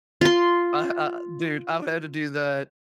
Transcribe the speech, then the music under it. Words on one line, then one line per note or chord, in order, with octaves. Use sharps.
uh, uh dude, I've had to do that.
F4 C6